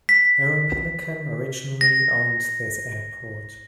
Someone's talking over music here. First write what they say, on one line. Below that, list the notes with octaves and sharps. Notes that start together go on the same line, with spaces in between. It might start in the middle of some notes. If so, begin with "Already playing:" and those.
Aeropelican originally owned this airport.
B6
A#6